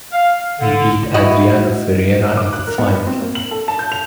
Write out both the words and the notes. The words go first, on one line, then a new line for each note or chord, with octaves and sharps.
He beat Adriano Ferreira in the final.
F5
D3
E4 F#4 D#5
D6
F#6
A#4
B3
B4
C4
A#3
F#7
A4
A5
G6
F7